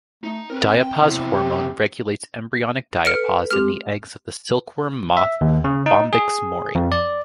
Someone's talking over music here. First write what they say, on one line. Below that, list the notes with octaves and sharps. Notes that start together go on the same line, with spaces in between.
Diapause hormone regulates embryonic diapause in the eggs of the silkworm moth, "Bombyx mori".
A3 D#4
C4 A#4 B4
G5
E2 C3 E4
G4
A4 B4 F6 C#7 D7
G#3 C4 G4 F6
E5
D#2
C#3
D#4
G#4
F2
D5